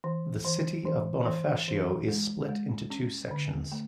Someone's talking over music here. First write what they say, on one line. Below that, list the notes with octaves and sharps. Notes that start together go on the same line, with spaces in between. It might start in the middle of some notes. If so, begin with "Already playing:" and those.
The city of Bonifacio is split into two sections.
E3
E3
E3
E3
E3
G#3
G#3
C#4
D3
A3